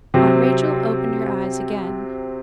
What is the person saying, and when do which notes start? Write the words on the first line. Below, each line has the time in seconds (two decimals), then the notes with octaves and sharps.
Aunt Rachel opened her eyes again.
0.14 C3 F#3 C4